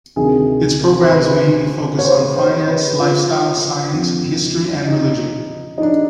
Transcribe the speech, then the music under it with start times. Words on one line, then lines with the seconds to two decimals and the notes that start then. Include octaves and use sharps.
Its programmes mainly focus on finance, lifestyle, science, history and religion.
0.16 D2 C3 D#3 G#4
1.01 C5
1.11 B4
1.99 C#5
2.05 C5
2.36 C5
2.67 B4
2.99 F4
3.93 F2 D3 F3
4.88 D#4
5.78 D#4
5.82 D4